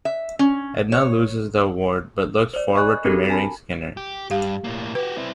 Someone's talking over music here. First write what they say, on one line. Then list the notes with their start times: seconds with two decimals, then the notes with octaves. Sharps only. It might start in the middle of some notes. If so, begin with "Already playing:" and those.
Edna loses the award, but looks forward to marrying Skinner.
0.05 E5
0.39 C#4
0.92 C#5
2.53 C5 D5
2.76 D#5 G#5 B5 C#6 F#6
3.05 C4 D4 F#4 G4 A4 A#4
3.30 G#5 A5 B5
3.97 G4
4.31 G2 G4 F5
4.64 A2 A#3
4.95 F#4 G4 B4
5.17 C4 E4